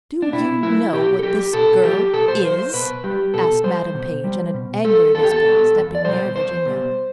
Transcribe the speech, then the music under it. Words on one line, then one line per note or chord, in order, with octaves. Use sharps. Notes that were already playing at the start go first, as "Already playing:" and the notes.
"Do you know what this girl is?" asked Madam Page, in an angry whisper, stepping near Virginia.
D4
B2 E4
F#3 E4
B2 G4
A4
F#3 G4
B2 A4
F#3 G4
B2 A4
C5
F#3 C5
C5
B2 B4
G3 G4
B2 A4
G3 C5
B2
G3
B2
G3 A4
E2 A4
G4
A4
B2 G3
E2
D5
B2 G3 C5
E2 C5
B2 G3